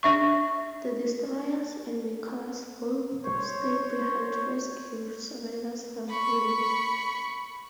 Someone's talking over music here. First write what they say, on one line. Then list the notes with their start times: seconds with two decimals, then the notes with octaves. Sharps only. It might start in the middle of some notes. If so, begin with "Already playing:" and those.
The destroyers and "Nicholas" both stayed behind to rescue survivors from "Helena".
0.03 D4 E5 C#6
3.24 C5 C#5
6.09 B5 C#6